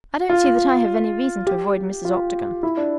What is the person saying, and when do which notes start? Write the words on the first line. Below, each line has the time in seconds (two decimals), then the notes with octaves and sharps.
"I don't see that I have any reason to avoid Mrs. Octagon."
0.30 F4
1.47 G4
2.05 F4
2.63 E4
2.77 D4